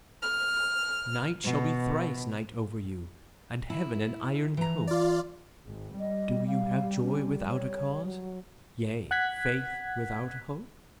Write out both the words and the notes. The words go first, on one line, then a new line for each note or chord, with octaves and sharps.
"Night shall be thrice night over you, And heaven an iron cope. Do you have joy without a cause, Yea, faith without a hope?"
F6
B2
E4
E3 A#5
F4 D5
G#1
G3 D#5
F5
C#4
C#5
F#3
F#5 F#6 G#6 B6